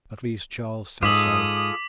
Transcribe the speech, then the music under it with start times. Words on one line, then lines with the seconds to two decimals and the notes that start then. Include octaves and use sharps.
At least Charles says so.
1.03 G#2 F4 G#4 A4 D6 D#6 B6 F#7